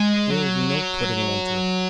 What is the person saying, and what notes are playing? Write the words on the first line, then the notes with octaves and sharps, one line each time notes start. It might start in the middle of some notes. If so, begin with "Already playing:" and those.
There will be no putting an end to it.
Already playing: G#3
F#3